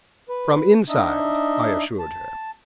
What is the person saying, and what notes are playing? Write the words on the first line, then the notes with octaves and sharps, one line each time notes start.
"From inside," I assured her.
B4
D4 D#4 D#5 E5
A5